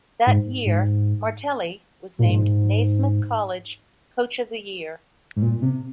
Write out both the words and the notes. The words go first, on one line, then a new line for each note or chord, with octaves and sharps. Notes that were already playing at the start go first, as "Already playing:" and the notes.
That year, Martelli was named Naismith College Coach of the Year.
G#2
G#2
A#2
G#2
G#2
A#2
C3